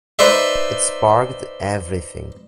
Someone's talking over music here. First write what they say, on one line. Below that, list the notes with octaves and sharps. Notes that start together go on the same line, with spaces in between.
It sparked everything.
D#4 B4 C5 D5 E5